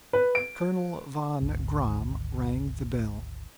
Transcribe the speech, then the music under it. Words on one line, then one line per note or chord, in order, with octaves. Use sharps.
Colonel von Gramm rang the bell.
B4
D7
G#1 D2